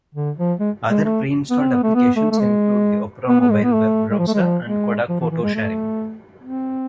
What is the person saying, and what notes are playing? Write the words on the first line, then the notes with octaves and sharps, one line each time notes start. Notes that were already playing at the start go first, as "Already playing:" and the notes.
Other pre-installed applications include the Opera Mobile web browser and Kodak Photo Sharing.
D3
F3
G#3
G#3
A3
B3
C4
B3
A3
B3
A3
A3
G#3
B3
B3
G#3
B3
A3
G#3
F3
A3
G#3
F3
G#3
F3
E3
E3
G#3
A3
C4